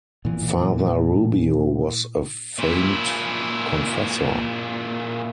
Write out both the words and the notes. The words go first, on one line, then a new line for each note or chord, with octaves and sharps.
Father Rubio was a famed confessor.
A#2 E3
A#2 E4